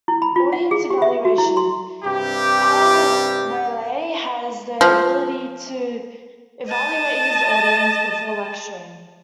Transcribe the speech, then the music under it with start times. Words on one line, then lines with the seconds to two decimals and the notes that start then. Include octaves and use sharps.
Audience Evaluation: Al-Waeli has the ability to evaluate his audience before lecturing.
0.08 E4
0.22 B5
0.36 F4
0.53 F#5
0.71 G#4
0.90 G4
1.02 E5
1.25 F#4
1.38 E4
1.57 C6
2.04 G2 C3 G4
4.81 F3
6.69 D#5 A5